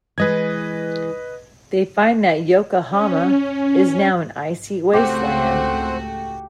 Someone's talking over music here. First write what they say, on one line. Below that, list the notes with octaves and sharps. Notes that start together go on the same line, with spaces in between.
They find that Yokohama is now an icy wasteland.
E3 G#3 B4 D#5 G#6
C#4
C#2 A3 C4 F#4 G4 C5 F#5